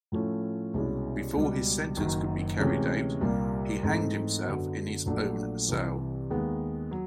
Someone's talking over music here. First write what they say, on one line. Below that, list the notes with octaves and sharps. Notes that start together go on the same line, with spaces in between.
Before his sentence could be carried out, he hanged himself in his own cell.
A2 F3 A3 C#4 E4
C2 B2 G#3 C#4 E4
C#2 B2 G3
F#1 F#2 D#3 F#3
D2 C3 E3 G#3 C#4
C2 A#2 G3 A#3
G#2 E3 A3 C4 D#4
F#2 D3 F#3 B3
A#1 A#2 F#3 A3 D4
C2 C3 E3
D#2 D#3 G#3 B3
F#3